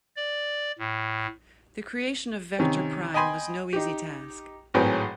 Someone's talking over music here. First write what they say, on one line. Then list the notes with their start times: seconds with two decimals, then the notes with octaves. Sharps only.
The creation of Vector Prime was no easy task.
0.16 D5
0.79 A2
2.59 C3 D#3 C#4
3.14 D#5 G5 G#5 B5 C6
3.73 D#4 G4
4.74 G#1 A2 F#3 G#4 B4 G5